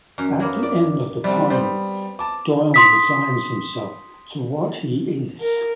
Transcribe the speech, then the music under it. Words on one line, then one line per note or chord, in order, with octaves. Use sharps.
At the end of the poem, Doyle resigns himself to what he is.
F#2
F#3 A#3 B3
D5
C3 G3 D4
G3 B3 C5
A5 D6
C6 D#6 B6
A#4